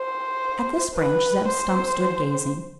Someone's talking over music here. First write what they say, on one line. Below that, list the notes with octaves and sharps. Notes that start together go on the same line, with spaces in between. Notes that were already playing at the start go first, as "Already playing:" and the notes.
At this branch Zeb Stump stood gazing.
Already playing: C5
B4
C5